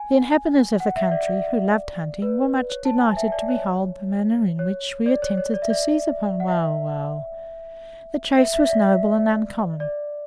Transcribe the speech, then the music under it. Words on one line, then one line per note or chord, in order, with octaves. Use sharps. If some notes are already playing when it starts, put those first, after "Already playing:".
The inhabitants of the country, who loved hunting, were much delighted to behold the manner in which we attempted to seize upon Wauwau; the chase was noble and uncommon.
Already playing: G#5
F#5
E5
D5
D5
B4
C#5
A5
G#5
E5
D5
C#5
C#5
D5
C#5
C#5
D5
E5
D5
F#5
E5
E5
E5
E5
D5
D5